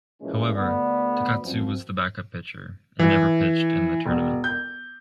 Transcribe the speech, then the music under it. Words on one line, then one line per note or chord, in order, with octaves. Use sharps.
However, Takatsu was the backup pitcher, and never pitched in the tournament.
A#2 E3 F3 G#3 A#3 C#4
D2 D3 B3 D5
F#2 F3 C4
E3
E1
G6